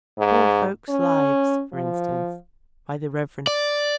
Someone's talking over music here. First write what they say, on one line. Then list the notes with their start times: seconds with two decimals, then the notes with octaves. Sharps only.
Poor Folks' Lives, for instance, by the Rev.
0.19 G#2
0.89 C#4
1.73 F3
3.47 D5